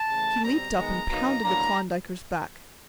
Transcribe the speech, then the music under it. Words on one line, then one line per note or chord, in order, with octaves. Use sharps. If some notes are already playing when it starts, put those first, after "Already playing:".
He leaped up and pounded the Klondiker's back.
Already playing: A5
C#3 E3 A3
B2 G3 C4 A#5
D#3 G#3 B3
B2 F#3 A#3 D#4
A2 F#3 A#3 D4 A#5